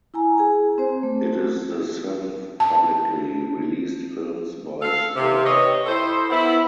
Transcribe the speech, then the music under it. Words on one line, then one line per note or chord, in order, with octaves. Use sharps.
It is the seventh publicly released films by Scud.
E4 G#5 A#5
G#4 G#5
C4 C5
A3
A5
A4 F5
C3
G4 B4 C#5 D#5
E4 A4 C5
B3 E4